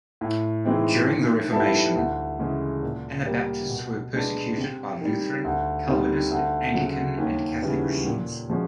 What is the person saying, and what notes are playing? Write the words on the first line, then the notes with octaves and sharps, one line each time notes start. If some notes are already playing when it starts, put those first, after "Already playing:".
During the Reformation, Anabaptists were persecuted by Lutheran, Calvinist, Anglican and Catholic regimes.
A2
E3 G#3 C4 D#4
D#3
G3 B3 E4 A4
D2
C#3 E3 G#3
A#2
G3 A#3
B2
G#3 B3 D4
C3
D#3 G3
D2
C3 D#3 G3
D2
C#3 F#3
D#2
C#3 E3 G3 B3
A#2
F3 G#3 C#4 F#4